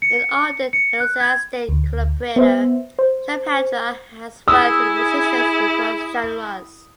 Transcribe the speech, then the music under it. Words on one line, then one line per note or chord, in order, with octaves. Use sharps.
An ardent and enthusiastic collaborator, Shubhendra has worked with musicians across genres.
C#7
C#7
F#6
G#6
D2
B3 C5 E5
C5
E4 G#4 D#6 E6